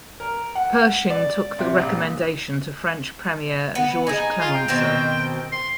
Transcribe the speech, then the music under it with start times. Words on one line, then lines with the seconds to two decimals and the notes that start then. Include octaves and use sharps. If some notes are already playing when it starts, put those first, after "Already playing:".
Pershing took the recommendation to French Premier Georges Clemenceau.
0.20 A#4
0.55 F#5
1.10 D5
1.59 C3
1.78 A#1
3.75 B3
4.07 D#4 G#4 G#5
4.40 F4
4.55 G5
4.68 B2 D#3 C4
5.52 C6